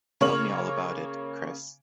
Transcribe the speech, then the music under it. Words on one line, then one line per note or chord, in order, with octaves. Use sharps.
Tell me all about it, Kris.
C#3 A#3 C#5 C#6 F6 F#7